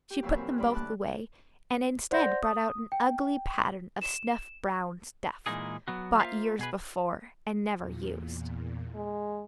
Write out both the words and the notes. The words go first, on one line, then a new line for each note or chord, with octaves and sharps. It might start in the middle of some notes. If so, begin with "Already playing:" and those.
She put them both away and instead brought out an ugly pattern of snuff-brown stuff, bought years before and never used.
G4
F2 A#2 E3 F#3 E5 G#5
C4 A#4
D2 G2 A#3 B5 D6
A5 F#6
C5 D5 F#5 C6 G6 A#6
D#6
G5
E7
A#2 E3 G#3 A#3 D#4 G#4
F#3 B3 F#4
A#3 F4 C5 E5 F5
B2 G#4 B4
E2 A#2
G#3